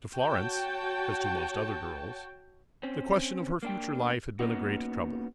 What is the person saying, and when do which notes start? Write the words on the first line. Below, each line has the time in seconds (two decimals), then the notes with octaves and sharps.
To Florence, as to most other girls, the question of her future life had been a great trouble.
0.15 F#4 C#5 G5 A5
2.83 C4 C#4
3.63 A#3 D4 G5
4.39 A#3 B3 C#4 D#4 F#4